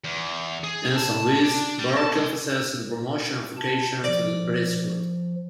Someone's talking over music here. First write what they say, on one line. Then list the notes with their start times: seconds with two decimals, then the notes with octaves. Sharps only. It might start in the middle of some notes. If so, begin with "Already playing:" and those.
In Saint Louis, Burke emphasized the promotion of vocations to the priesthood.
0.04 E2
0.64 G#4
0.97 A5
1.44 D4
1.79 G3
1.97 A5
2.16 G#3
3.56 B2 A5
4.04 F3 D5